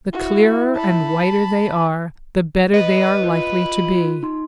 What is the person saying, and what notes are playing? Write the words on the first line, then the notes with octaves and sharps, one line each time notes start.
The clearer and whiter they are the better they are likely to be.
E4 F#4
A5 B5
B4 D#5
F4
D#4 C6